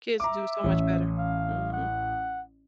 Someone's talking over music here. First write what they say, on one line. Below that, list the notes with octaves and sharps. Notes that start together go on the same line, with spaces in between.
Kids do so much better. Mhm.
E5 A#5 D6
A1 C#4
F5
F#5